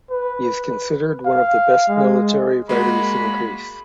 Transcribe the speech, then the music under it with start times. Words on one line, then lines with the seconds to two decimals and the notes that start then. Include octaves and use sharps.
He is considered one of the best military writers in Greece.
0.10 B4
1.25 F5
1.88 G#3
2.69 G#3 A#3 F#4 B5